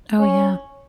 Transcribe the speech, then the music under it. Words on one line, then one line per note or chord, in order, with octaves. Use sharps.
Oh, yeah.
C#4